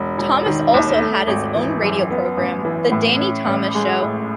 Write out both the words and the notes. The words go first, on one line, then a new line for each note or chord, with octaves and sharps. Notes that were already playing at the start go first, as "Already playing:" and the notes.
Thomas also had his own radio program, "The Danny Thomas Show".
Already playing: E1
E1
D#3
D#2
A3
G#1
E3
F#2
B3
A1
E3
A2
C#4
A1
G#3
A2